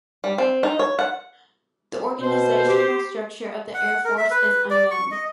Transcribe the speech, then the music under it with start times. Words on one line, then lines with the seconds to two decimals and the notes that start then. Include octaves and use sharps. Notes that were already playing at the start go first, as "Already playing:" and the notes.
The organizational structure of the Air Force is unknown.
0.24 G3
0.38 C4
0.63 D#4
0.79 C#5
0.99 F#5
2.21 B2 C5
2.68 G4
3.74 F#5
4.05 A#4
4.17 E5
4.31 B4
4.71 D5
4.91 C#6
5.11 D#5